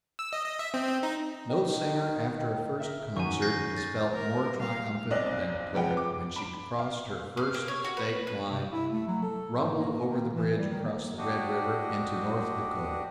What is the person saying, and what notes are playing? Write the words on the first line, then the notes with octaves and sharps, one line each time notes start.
No singer after a first concert has felt more triumphant than Claire when she crossed her first state-line; rumbled over the bridge across the Red River into North Dakota.
E6
D#5
D#5
E5
C4
C4
D#4
D#3
A#4 E5
F#2 D#3 G#5 C#6
G6 A#6 C7
A6
A#4
G3 F5
B1 C4 D5 D#5 F#6
C3 F3 G#3 B4 F#5 G5
D6
B5 D7
F5
F5
A#3
C#5
F#4
B4
B4
C3
E4
A3
F#3
A4
G#2
A#3
D#3
E3
G3
D#3
A#3
D4 F#4 G4 D#5